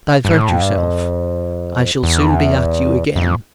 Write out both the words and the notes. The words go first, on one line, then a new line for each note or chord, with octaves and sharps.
Divert yourself--I shall soon be at you again.
G2
A2
F2
G2
F2
E2
F2